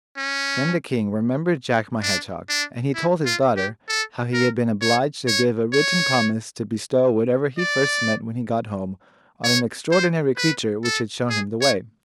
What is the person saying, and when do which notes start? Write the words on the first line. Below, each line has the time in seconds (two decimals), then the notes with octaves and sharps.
Then the King remembered Jack my Hedgehog, and he told his daughter how he had been obliged to give a written promise to bestow whatever he first met when he got home on an extraordinary creature which had shown him the way.
0.17 C#4
2.03 D4
2.49 D4
2.95 E4
3.26 F4
3.57 G4
3.89 A4
4.34 A#4
4.81 C#5
5.27 C#5
5.73 C#5
7.58 D5
9.44 C#5
9.91 C5
10.37 B4
10.84 A4
11.30 G#4
11.61 C#5